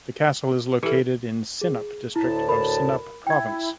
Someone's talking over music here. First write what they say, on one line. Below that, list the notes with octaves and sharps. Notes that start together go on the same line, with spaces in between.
The castle is located in Sinop district of Sinop Province.
E3 G4 A4
G#4
D2 A2 E4 A5
A#4 B5
E4 G5 G#6